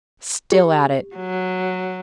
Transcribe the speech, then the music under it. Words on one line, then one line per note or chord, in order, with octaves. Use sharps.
"Still at it!"
G4
F#3